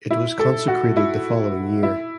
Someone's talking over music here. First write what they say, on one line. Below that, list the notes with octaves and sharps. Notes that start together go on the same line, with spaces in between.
It was consecrated the following year.
E4
A4
F#4
E4
E4